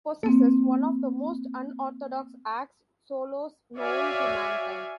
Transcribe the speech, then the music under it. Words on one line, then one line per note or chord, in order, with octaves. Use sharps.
Possesses one of the most unorthodox 'axe' solos known to mankind.
A#3 C4
F#4 C#5 D5 E5 F5 G#5